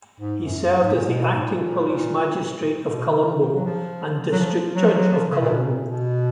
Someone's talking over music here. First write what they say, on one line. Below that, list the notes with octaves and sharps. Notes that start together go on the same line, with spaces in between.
He served as the acting police magistrate of Colombo and district judge of Colombo.
G#2
F#2
G#2
A#2
B2
G#2
A#2
B2
D#3
C#3
D#3
F#3
F3
F#3
F3
F#3
F3
F#3
F3
C#3
A#2
B2
A#2
B2